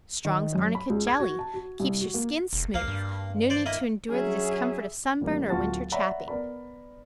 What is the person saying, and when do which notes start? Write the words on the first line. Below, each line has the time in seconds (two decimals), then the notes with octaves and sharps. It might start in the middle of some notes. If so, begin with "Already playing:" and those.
Strong's Arnica Jelly Keeps Your Skin Smooth No need to endure the discomfort of sunburn or winter chapping.
0.25 D#3
0.55 F#2
0.75 B5
0.90 C#2
1.07 G#6
1.20 F#4
1.39 A5
1.54 F#4
1.80 C2
2.01 F#4
2.14 A#3
2.53 E1
2.74 C2 A#3 F5
2.88 G2
3.50 C5 D5
3.66 A#3 E4 D#5
4.10 F#3 C#4 G#4 E5
5.21 A1 G3 A#3
5.49 D1 F4 F#4 A5 A6
5.92 C#5 D5 E5 F#5 A#5 B5
6.28 B3 A#4 D5 B5